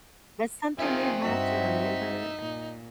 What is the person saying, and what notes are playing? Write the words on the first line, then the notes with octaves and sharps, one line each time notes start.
That's something you have to remember.
D#3 C4 F4 G#4 E5 G#5
G2 D#4 F#4 E5
A#2